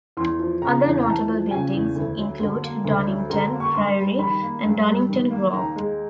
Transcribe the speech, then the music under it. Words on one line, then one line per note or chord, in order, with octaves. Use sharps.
Other notable buildings include Donnington Priory and Donnington Grove.
E2 C6
F3
C#3 A#5
E2
A#5
E2 A5
F3
C#3 G#5
E2
D2
F#3
D3
A#3
D2
F#3
D3 A#5
A#3
C#6
G2 C6
G3
D#3 B5
A#3
G2
G3
D#3
A#3
D#2 A#5
G#3